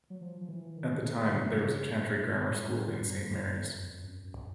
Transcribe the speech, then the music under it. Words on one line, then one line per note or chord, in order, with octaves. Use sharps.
At the time, there was a chantry grammar school in Saint Mary's.
F#3
F3
F3
E3
D#3
D3
C#3
B2
A2
A2
E2
G2
F#2
F2
F#2
F#2